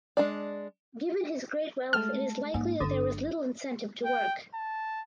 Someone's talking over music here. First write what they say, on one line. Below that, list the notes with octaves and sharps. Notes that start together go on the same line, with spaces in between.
Given his great wealth it is likely that there was little incentive to work.
G#3 D4 D5
G#3 A3 A5 F6
G#2 A#3 E4
G1 D3 F#3 D#6
G5
A5